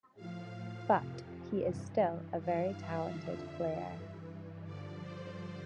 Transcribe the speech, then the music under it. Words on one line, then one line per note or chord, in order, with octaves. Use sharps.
But he is still a very talented player.
A2 F3 F5
F2 C3 F3
G2 E3
G2 E3 F5
E5
F2 D3 F3 E5
G2 E3
G2 D3 F3 D5
C5